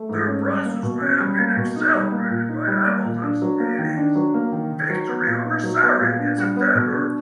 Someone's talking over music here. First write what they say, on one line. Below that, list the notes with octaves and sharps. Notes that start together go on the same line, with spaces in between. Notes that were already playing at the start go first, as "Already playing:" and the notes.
The process may have been accelerated by Hambledon's innings victory over Surrey in September.
Already playing: A3
G#2
C#4
G3
A#3
B2
C#4
G3
A#3
B2
D#4
G3
A#3
A#2
D#4
G3
A#3
A#2
D4
F#3
A#3
D#3
D4
F#3
A#3
D#3
D#4
F#3
B3
A#2
D#4
F#3
B3
A#2
D4
G3
B3
B2
D4